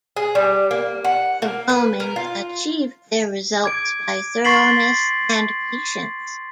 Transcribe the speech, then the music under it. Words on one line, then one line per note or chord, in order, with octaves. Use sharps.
The Romans achieved their results by thoroughness and patience.
G#4
G3
A#3
F#5
A#3
B4
A#4
F4
D6 G#6 D7
C6 C#6 A6 B6 C7 F#7